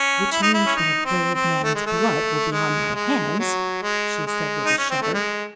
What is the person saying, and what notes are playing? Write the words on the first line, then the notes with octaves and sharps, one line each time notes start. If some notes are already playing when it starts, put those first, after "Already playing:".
"Which means that a brave man's blood will be on my hands," she said, with a shudder.
Already playing: C#4
E4
D#4
E4
C#4
D#4
C4
C4
A3
G#3
A3
G#3
G#3
F#3
G#3
G#3
D#4
C#4
C4
A3
G#3